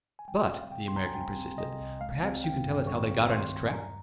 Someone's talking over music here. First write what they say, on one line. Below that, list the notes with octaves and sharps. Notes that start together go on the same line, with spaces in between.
"But," the American persisted, "perhaps you can tell us how they got on his track?"
G#5
G3 G5
C4
F5
C3 G5
C6
C2 A#5
G#5
G3 G5
C4
C3 D#5
C2
G#3 F5
C4
D#3 G5
G2
G#3 C#6
C4
D#3 C6
G2
G#5
G3 A#5